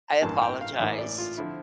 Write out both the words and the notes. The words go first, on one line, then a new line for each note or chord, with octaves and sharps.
I apologized
A1 G2 E3 A#3 A5
G5
F5
A1 A2 E3 A#3 E5
D5
F4
D3 F3 C4 E4